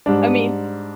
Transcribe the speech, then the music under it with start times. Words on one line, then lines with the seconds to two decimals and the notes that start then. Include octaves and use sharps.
I mean
0.06 G#2 G3 D4